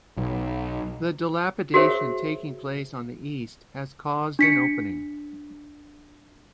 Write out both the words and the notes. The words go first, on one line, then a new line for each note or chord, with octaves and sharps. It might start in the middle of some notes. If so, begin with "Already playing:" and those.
The dilapidation taking place on the east, has caused an opening.
B1
F#4 G#4 A#4 C5 C#5 E5
D4 B6 C#7